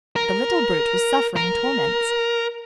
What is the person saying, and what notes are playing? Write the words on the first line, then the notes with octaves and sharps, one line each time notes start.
The little brute was suffering torments.
A#4
A#4